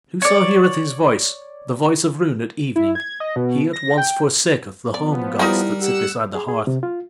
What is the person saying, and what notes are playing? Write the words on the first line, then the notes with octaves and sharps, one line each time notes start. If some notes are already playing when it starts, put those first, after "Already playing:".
Whoso heareth his voice, the voice of Roon at evening, he at once forsaketh the home gods that sit beside the hearth.
C#5 D5
E4
G#6
D#5
B2
A#6
G5
F3 B3 D5
G3 D#4 E4 A#4 G5
G4 F#5 E6
G#4
G#4
C3
F4